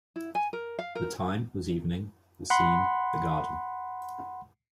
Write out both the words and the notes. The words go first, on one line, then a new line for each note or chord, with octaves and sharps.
The time was evening; the scene the garden.
E4
G#5
A#4
F5
A#4
F#5 B5 C6